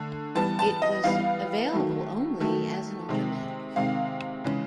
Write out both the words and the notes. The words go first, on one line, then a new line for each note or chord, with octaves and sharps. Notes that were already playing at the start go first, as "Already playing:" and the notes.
It was available only as an automatic.
Already playing: D3 A3
E3 G3 B3 A5
A5
D#5
E3 G3 B3 F5
D#3 F#3 A3
D#3 F#3 A3
C3 D#3 G#3 C4
C3 D#3 G#3 C4 F5
C#3 E3 G#3 C#4